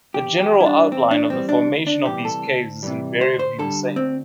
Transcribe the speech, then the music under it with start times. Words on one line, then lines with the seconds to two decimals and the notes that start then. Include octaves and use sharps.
The general outline of the formation of these caves is invariably the same.
0.14 E2 G4
0.40 G4
0.53 E3 G3
0.60 E4
0.66 D4
0.91 E2 C4
1.11 D4
1.29 E3 G3 C4
1.49 D4
1.67 D2
1.87 D4
2.06 C3 E3 G3 G4
2.25 A4
2.44 D2
2.83 C3 E3 G3
3.21 D2 C5
3.39 C5
3.59 D3 G3 A4
3.96 D2 C4